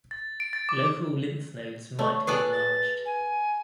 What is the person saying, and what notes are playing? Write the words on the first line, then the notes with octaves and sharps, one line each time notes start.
Local lymph nodes might be enlarged.
A6
D7
A6
D6
A3 C#5 D5 C#6
G#4 A4 B4 D5 F#6
A6
G#5